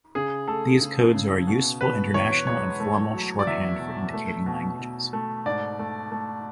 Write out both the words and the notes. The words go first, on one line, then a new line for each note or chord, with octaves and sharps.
These codes are a useful international and formal, shorthand for indicating languages.
C#3 G#4
A3 A4
C#3
C#3
B2
B2 B4
E2 C#5
G#3 C#5
A3
F#3
D5
E2 E5
B2
A3
B2
B2
A3
G#2 D5
A3
A3